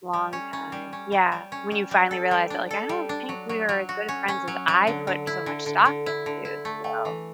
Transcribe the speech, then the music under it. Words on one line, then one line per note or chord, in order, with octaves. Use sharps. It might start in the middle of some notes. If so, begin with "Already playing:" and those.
Long time, yeah, when you finally realize that, like, "I don't think we are as good friends as I put so much stock into," so
G3
C#4
C#4
G3
C#4
G3
G3
C#4
G3
G3
A4
G3
D4
A4
G3
D4
F#3
F#3
F#3
F#4
C#4
C#4
F#3
F#3
D3
D3
E4
D3
D3
D3
E4
D3
E4
A3
A3
E3